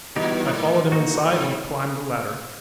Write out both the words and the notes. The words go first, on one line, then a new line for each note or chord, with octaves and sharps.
I followed him inside and he climbed the ladder.
A#2 E3 G3 B3 D#4 G4
G#2
A2
A#3 D#4 F#4
G#2